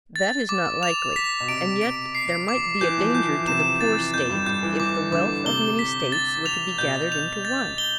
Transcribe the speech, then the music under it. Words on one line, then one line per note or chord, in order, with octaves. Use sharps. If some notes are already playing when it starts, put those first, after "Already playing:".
That is not likely; and yet there might be a danger to the poor State if the wealth of many States were to be gathered into one.
A6
D6
F7
B6
B2
C3 D7
D7
C7
D6
E3 G6
F3
E3 G6
E3
C3 E7
E3 A6
F2 G6
G2
G2 G6
E3
E3 D6
D3 D6
C3 G7
B6
A6
F7
B2 G6
F7
A6
G7